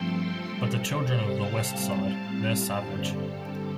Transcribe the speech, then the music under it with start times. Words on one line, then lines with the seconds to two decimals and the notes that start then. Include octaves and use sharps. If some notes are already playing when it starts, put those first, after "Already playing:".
But the children of the West Side - they're savage.
Already playing: G2 F3 A3 C4 A4 G5 C6
0.50 C3 G3 C4 A4
0.79 A4
1.08 G4 C5
1.37 F5 A5
1.65 A2 G3 C4 F5 A5
2.24 F5 A5
2.81 G2 D3 G3 C4 G4
3.10 A4